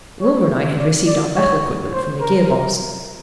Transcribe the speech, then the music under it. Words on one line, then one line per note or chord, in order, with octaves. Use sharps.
Wilma and I had received our battle equipment from the Gear boss.
C#5
D5
D5
C#5
C5
A#4